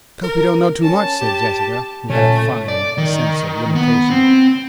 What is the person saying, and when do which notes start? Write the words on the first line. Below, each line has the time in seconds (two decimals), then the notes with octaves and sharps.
"Let's hope he don't know too much," said Jessica, who had a fine sense of limitations.
0.23 A#4
0.83 C#4 A5
1.21 G4
2.10 A#2 A3 C#4
2.68 D5
2.98 D#3
3.75 B3
4.10 C4